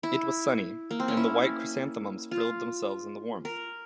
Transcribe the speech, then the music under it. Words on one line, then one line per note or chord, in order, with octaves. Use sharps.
It was sunny, and the white chrysanthemums frilled themselves in the warmth.
E4
A#3
C4
C#4
E4
F4
A#4